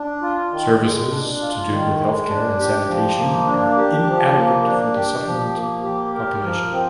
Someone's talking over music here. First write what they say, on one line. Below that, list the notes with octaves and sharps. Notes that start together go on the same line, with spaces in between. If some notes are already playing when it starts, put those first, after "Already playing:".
Services to do with health care and sanitation are inadequate for the settlement population.
Already playing: D4
F4
D#3
G#3
D4
F4
D#3
G#3
D4
G4
F3
A#3
D4
G4
F3
A#3
D4
G4
F3
A#3
G4
A#4
F3
C4